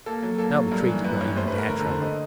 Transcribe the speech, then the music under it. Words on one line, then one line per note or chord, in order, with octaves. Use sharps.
Now the Tree did not even dare tremble.
A#3 A4
F#3
A#3 A4
F#3
G2 A#4
E3
G2 B4
G2 C#5
A3 C5
B4
A3 A#4
D3 A#4
A4
D3
C5
D#5